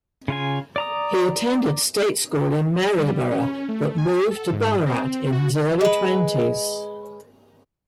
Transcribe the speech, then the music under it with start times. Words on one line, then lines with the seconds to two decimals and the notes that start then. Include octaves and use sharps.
He attended state school in Maryborough, but moved to Ballarat in his early twenties.
0.28 C#3 F4 G#5
0.76 D5 A#5 D#6
2.99 G3
3.31 C#4
3.69 A3
3.98 G#5
4.31 A4
4.52 G#2
4.86 C4
5.32 F#4
5.81 G#3 B4